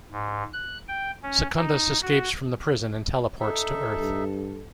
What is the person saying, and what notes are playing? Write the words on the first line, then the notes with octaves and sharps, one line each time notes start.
Secundus escapes from the prison and teleports to Earth.
G#2
F#6
G5
C#4
D#4
F#4
D#4 A4 E5
G2